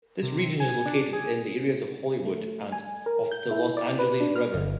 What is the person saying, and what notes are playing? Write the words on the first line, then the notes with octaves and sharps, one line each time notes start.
This region is located in the areas of Hollywood and of the Los Angeles River.
C3
G#5
D4
G#4
A3
G#5
A#4
G6
E4
D5
B4
D4
F6
G1